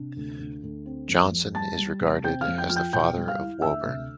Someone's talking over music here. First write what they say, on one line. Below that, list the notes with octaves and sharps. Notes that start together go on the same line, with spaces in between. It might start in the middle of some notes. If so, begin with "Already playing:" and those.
Johnson is regarded as the father of Woburn.
Already playing: C3 D4
D2
D2
D2
C4
F2
F2
G3 A5 A6
G3
C3
C4 G5 G6
F5 F6
F2
G5 G6
F3 F6
G5 G6
B2 G5 G6
G3
F5 F6
E4
D2 E5 E6
C3